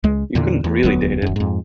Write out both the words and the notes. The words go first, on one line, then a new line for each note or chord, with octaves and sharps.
You couldn't really date it.
C#2 G#3
E2 A#2 D3
E2
E1 D2 F#3 B3
D#1 F#2
F2 G#2